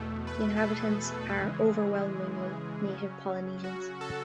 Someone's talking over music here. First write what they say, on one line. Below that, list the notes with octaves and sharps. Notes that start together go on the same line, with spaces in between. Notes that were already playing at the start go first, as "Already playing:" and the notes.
The inhabitants are overwhelmingly native Polynesians.
Already playing: E2 B2 A3
B4
A4
G#4
C#3 E3 G#3
C#3 F#3 C#4
F#4
A4